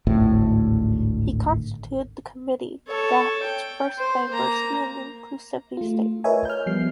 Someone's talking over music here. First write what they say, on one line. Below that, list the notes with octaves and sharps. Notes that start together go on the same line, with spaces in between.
He constituted the committee to draft its first Diversity and Inclusivity Statement.
G#1 D2 A2
A4 C#5
G5
C5
A#3 A#5
A3 F4
A#4 B4 C#5 D#5 E5 G#5
F6 G6
F3 G3 B3 C7